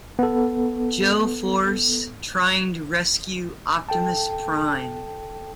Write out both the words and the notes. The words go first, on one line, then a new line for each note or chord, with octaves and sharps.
Joe force trying to rescue Optimus Prime.
B3 A4
A4 G5 A5